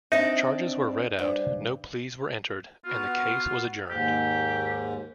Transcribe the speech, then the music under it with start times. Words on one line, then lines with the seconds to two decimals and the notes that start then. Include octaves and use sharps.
Charges were read out, no pleas were entered and the case was adjourned.
0.12 C4 D4 D#4 D5 E5
1.19 G2 C5 D5
2.84 B3 F4 F#4
3.90 D#2 G#2 G4